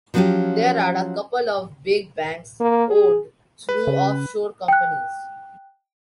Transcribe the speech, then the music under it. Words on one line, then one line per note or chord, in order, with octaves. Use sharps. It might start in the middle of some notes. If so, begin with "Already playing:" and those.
There are a couple of big banks owned through off-shore companies.
F3 F#3 B3 C#4 F4 G4
A#3
G#4
B4
C#3
G5 F#6